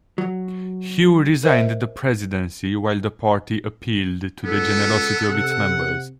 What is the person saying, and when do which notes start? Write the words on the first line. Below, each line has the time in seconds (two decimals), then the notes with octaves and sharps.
Hue resigned the Presidency while the Party appealed to the generosity of its members.
0.18 F#3
1.43 A#4 C5 D#5 E5
4.45 C#2 B3 A4
5.29 C3 F#5